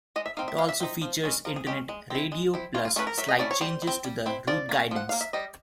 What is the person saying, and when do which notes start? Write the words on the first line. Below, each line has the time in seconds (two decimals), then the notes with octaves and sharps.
It also features internet radio plus slight changes to the route guidance.
0.16 G#3 D#5
0.26 E5
0.37 C4 D#4 F5
0.48 E5
0.58 G#3 F5
0.69 E5
0.80 C4 D#4
1.01 F3
1.24 G#3 C#4
1.45 F3 A#4
1.56 G#4
1.67 G#3 C#4 G4
1.89 G#3
2.10 C4 E4
2.32 G#3
2.54 C4 E4
2.74 F#3 F4
2.85 F4
2.96 A3 C#4 E4 B4
3.07 A#4
3.18 F#3 E5
3.29 D#5
3.39 A3 C#4 E4 D5
3.51 C#5
3.61 G3 C5
3.82 E4
3.87 C4
4.04 G3
4.26 C4 E4
4.47 F3 D5
4.69 A#3 C#4
4.91 F3 F#5
5.09 A#3 C#4 F5
5.21 E5
5.33 G3 D#5